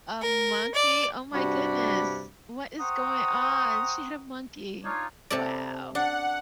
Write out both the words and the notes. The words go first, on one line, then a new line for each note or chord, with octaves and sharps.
A monkey? Oh my goodness. What is going on? She had a monkey. Wow!
A#4
D5
G2 C3 D4 F#4 D5 B5
C5 F#5 G5 A#5 C#6 D#6
D4 D#4 F4 C#5
C3 A4 D5
D4 F#5